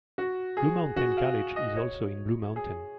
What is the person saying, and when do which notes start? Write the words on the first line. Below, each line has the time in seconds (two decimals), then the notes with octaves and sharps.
Blue Mountain College is also in Blue Mountain.
0.18 F#4
0.57 G#4
0.96 F#4
1.17 F5
1.56 D#5
1.77 C#5
2.56 G#4